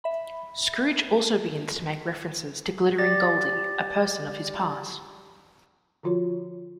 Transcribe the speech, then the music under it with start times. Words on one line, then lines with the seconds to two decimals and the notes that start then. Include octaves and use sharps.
Scrooge also begins to make references to "Glittering Goldie", a person of his past.
0.04 E5 B5
2.98 G4 D5 A6 A#6
6.03 D3 F3 F4 F#4 C#5